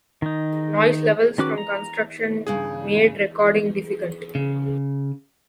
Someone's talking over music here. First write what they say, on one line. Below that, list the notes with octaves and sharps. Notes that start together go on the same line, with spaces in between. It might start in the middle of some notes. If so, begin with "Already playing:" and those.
Noise levels from construction made recording difficult.
D#3 D#4
D#3 C#4 F#4 B4 D6
A#5
E2 G2 C#3 G#4
C#3